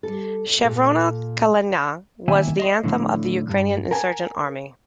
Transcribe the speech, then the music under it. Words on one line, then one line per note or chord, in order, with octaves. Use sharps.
"Chervona Kalyna" was the anthem of the Ukrainian Insurgent Army.
G3 A4
A#2 A4
C2 D#3 A#3 E5 G5 G#5
D#5 C6
A2 D3 F3
G2
A#4 F#5 G#5 A5